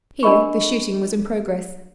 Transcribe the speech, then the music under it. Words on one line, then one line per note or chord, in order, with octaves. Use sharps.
Here the shooting was in progress.
D4 A#4 D#5 B5 C#6